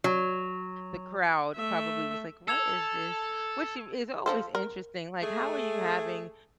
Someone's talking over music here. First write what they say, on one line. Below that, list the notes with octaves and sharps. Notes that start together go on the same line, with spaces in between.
the crowd probably was like, "What is this?" which is always interesting, like, how are you having
F#3
A3 E5
A4 E6 G#6 F7
F3 A4 C5
A#4
A3 G#4